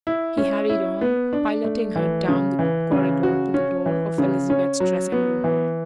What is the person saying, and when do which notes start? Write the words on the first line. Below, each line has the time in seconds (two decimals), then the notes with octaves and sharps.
He hurried on, piloting her down the corridor to the door of Elizabeth's dressing room.
0.07 E4
0.37 C#4
0.70 E4
1.01 B3
1.33 D4
1.64 A3
1.96 E3
2.28 C#3
2.59 E3
2.92 C#3
3.23 F#4
3.54 C#4
3.86 E3
4.18 C#3
4.50 C#4
4.80 F#3
5.12 B3
5.44 E3